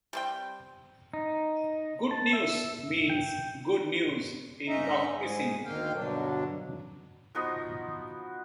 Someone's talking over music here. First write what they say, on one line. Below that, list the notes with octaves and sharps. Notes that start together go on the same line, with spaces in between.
"Gutnius" means "Good News" in Tok Pisin.
G3 C4 G5
D#4
A5
E5
G5
G2 C#4 D#4 D#5 E5 A#5
G#2 G#4
D2 D3 D#3 A#3 F5 G5
G2 B2 D3 F#3 D4
F3 B3 D#4 F#4